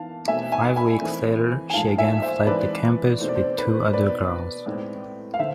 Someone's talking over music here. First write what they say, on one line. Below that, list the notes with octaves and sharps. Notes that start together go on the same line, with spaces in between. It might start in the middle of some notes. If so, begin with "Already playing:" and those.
Five weeks later, she again fled the campus with two other girls.
Already playing: E3 B3 F5 A5
B2 A3 C4 E5 G#5
E5 G#5
G#5 B5
E3 A3 C4
G#5
A2 F3 G#3 F5 A5
E5 G#5
C5 E5
E3 G#3 C4 B4 D5
B2 A3 C4 C5
D5
C5
B4
C5
B2 B3 B4 D5
A2 G#3 C4
F5
D3 C5 E5